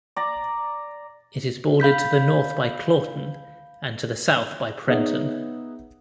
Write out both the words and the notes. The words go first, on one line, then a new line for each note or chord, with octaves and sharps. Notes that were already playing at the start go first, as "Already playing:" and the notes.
It is bordered to the north by Claughton and to the south by Prenton.
D5 A#5
F5 B5 G6 B6
B3 D#4 G#4 C#5 E5 F#5